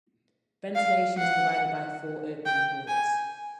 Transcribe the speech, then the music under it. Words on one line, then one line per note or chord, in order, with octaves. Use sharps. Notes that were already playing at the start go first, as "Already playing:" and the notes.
Ventilation is provided by four opening ports.
F5
F#5
G5
G#5